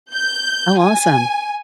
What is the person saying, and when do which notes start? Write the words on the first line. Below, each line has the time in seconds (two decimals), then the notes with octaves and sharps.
Oh, awesome.
0.14 G6
0.78 G#5